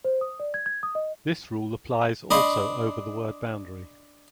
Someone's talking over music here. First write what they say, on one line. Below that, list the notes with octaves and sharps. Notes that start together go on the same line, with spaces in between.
This rule applies also over the word boundary.
C5
D#6
D5
G#6
G#6
D#6
D#5
D4 D#5 B5 C6